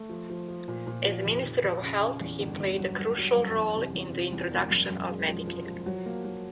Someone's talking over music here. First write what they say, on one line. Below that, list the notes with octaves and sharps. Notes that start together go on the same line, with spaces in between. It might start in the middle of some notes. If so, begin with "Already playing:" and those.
As minister of health, he played a crucial role in the introduction of Medicare.
Already playing: A3
F3
F3
F3
A#2
A#2
F3
F1
F1
F1
C#3
C#3
E2
G1
G1
F#3
F#3
F#3
F#2
E2
C3
E2
C3
E2
E1
F#2
F#2
G#3
F3
F3
F3
F#3
A#3
F#3